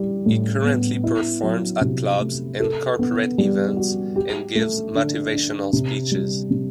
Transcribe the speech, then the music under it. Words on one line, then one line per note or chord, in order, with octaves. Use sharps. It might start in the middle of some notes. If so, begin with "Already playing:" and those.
He currently performs at clubs and corporate events and gives motivational speeches.
Already playing: G3 E4
A2
B3
E4
F#3
C3
A3
A4
B3
G3
F#4
G4
A3
D3
D4
C3
G3
C3